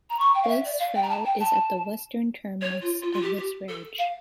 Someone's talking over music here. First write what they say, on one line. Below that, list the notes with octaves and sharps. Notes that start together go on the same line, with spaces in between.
Place Fell is at the western terminus of this ridge.
A#5
C#6
G5
F5
E5
D5
F5
G5
A#5
A5
G5
A5
C#5
F4
F4
F4
G4
G4
A4
F5